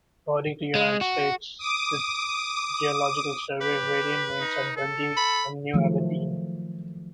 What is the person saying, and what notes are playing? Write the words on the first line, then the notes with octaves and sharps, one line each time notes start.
According to the United States Geological Survey, variant names are "Dundee" and "New Aberdeen".
G#3
F#4
D6 D#6
G4 B4
D#4
A4
B5
D#3 F3 F#3 A3